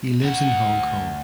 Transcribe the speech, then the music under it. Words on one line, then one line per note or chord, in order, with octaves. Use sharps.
He lives in Hong Kong.
D2 F#5